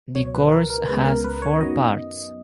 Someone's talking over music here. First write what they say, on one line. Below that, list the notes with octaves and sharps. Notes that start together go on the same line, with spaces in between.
The course has four parts.
C#2 B2 F#3 C#5
B4
A#4
A#4
C#2 C#3 G#3 B3 B4
A#4
B4
C#5
F#2 D#3 F#3 B3 D#5